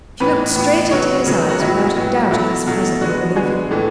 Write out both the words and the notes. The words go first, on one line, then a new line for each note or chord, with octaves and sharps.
She looked straight into his eyes without a doubt of his presently believing her.
A2 E3 B3 B4
A2 E3 B3
C#3 F#3 B3 C#5
C#3 F#3 B3
F#4
A2 F#3 B3 E4
A2 F#3 B3
B2 F#3 A3 E4
B2 F#3 A3
D3 G#3 B3 F#4
D3 G#3 B3 G#4
A2 E3 A3